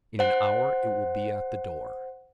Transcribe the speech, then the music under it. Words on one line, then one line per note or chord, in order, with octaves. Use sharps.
"In an hour it will be at the door."
C5 F#5